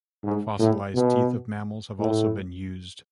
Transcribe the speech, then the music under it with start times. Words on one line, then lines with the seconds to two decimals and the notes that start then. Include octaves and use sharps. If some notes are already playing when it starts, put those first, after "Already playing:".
Fossilized teeth of mammals have also been used.
0.24 G#2
0.59 A2
0.94 B2
1.99 A2